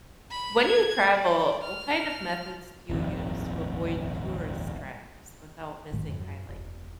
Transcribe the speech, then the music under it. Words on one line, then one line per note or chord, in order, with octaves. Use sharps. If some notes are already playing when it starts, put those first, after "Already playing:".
When you travel, what kind of methods do you use to avoid tourist traps without missing highlights?
B5
G#6
D5
F6
D#1 G#1 F2 C3
A1 G#2 D#3 G#3
F2 D3
F#2
E1